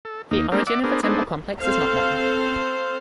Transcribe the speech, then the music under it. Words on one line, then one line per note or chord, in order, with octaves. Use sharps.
The origin of the temple complex is not known.
A4
D#2 A#3 D#4
G#3 A#3 C4 D4 G4 A#4
D5 E5 F#5 D6
B3 D4 G#4 A#4 C5
B3 D4 D#4 G#4 A4 C5
C4 A4 C5 F5